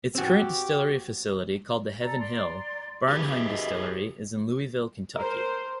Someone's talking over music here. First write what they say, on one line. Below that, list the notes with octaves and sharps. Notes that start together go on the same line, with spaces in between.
Its current distillery facility, called the Heaven Hill Bernheim distillery, is in Louisville, Kentucky.
C4 F#4 G4
A4 D5 A#5
D5 A#5 C6
G4 G#4 B4
D#5 E5
A#4 C5